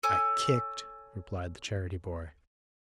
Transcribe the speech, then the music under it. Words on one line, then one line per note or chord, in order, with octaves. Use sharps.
'I kicked,' replied the charity-boy.
A4 C#5 G#5 D6